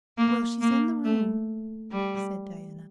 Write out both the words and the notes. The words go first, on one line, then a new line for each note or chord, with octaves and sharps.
"Well, she's in the room," said Diana.
A#3
A#3
A3
G3